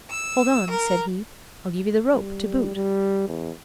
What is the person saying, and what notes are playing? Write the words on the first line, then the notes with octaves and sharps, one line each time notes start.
"Hold on," said he, "I'll give you the rope to boot."
E6
A#4
G3
G3
E2